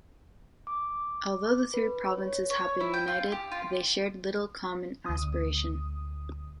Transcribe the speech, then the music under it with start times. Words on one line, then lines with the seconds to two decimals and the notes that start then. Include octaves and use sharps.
Although the three provinces had been united, they shared little common aspiration.
0.67 D6
1.74 B4
2.12 C#5
2.50 C#5
2.80 E4
2.93 G5
3.08 F4
3.32 G4
3.51 F4
5.06 D2 D#6